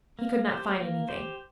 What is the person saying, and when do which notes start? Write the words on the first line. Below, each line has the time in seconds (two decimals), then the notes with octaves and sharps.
He could not find anything.
0.19 A#3
0.49 G4 C5
0.79 A#3
1.09 G4 C5